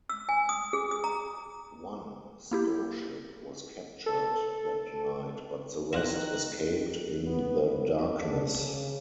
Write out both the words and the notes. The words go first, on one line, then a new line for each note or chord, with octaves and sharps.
One storeship was captured that night, but the rest escaped in the darkness.
E6
G#5
D#6
G#4
D#6
A#5
A#3 E4 G4
A4
D#3 E4 F4 F#6 A#6
B3
F#3
D4
C#3